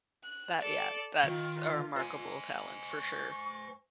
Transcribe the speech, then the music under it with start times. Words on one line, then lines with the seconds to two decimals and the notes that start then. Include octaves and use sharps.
That yeah, that's a remarkable talent for sure.
0.24 F#6
0.61 A4 D5
1.24 D#3 F4
1.96 C5 G#5
2.89 C#6